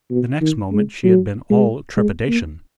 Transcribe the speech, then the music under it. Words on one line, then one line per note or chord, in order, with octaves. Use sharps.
The next moment she had been all trepidation.
B2
D#3
G#3
F#3
G#3
G#3
A#3